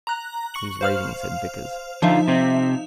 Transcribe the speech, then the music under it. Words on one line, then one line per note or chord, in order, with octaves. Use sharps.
"He's raving," said Vickers.
A#5 F#6
C#6 C#7 F#7
C5 F5 F6
D3 F3 D#4 F4 E5
C3 C4